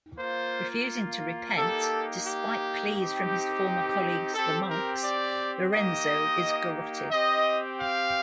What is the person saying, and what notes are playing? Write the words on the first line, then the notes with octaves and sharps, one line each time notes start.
Refusing to repent, despite pleas from his former colleagues the monks, Lorenzo is garrotted.
A#3 F4 C5
A#3 D#4 G4 A4
G4
C4 D#4 G4
C4 G4 A4
A#4
D5
A#3 D#4 G4 D#5
C4 G4 D#5
F5